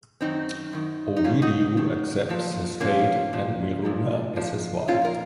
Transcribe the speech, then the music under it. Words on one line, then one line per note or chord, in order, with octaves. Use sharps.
Ovidiu accepts his fate and Miruna as his wife.
F#2 D#3 C4 D#4
F#2 D#3
D#4
F#2 D#3 C#4 F4
D#4 F#4
F#2 D#3
A#2 F3
A#2 F3 A#3 C#4
A#2 F3
A#2 F3
A#2 F3
A#2 F3 C#4 F4
A#4